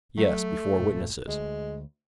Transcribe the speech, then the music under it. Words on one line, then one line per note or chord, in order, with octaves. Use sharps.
"Yes, before witnesses."
F#3 A3
D#1 F#2 A#2
D2 G#3